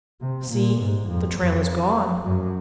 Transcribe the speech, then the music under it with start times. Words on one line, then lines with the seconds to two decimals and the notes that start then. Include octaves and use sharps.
See, the trail is gone!
0.21 C3
0.50 A#2
0.79 G#2
1.08 F2
1.37 F2
2.24 F#2